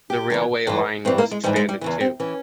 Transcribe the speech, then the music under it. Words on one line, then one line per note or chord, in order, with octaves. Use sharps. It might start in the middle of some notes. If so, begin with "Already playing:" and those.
The railway line was expanded, too.
G4
E2 C#3 E3
G2 E3 F4
G2 E3 C4
A#3
G#3
G#2 E3 G3
G#3
G3
E2 C#3 E3
C4
E3 C#4